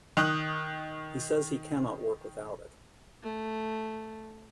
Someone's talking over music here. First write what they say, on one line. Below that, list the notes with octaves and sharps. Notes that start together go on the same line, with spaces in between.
He says he cannot work without it.
D#3 D#6 F#6 F#7
A3